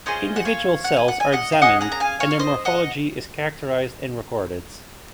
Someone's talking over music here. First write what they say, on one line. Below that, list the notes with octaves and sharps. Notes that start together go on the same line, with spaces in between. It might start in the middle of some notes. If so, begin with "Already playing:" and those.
Individual cells are examined and their morphology is characterized and recorded.
C#4 F4 G#4 C5 D#5
F#5
C#5 F5
F#5
G#5
F#5
G#5
D#5 F#5
F5
C#4 G#4 D#5 F#5
F#5 A#5
A#5
F5 G#5
C#5 F5
F5
C5 D#5
D#5 F#5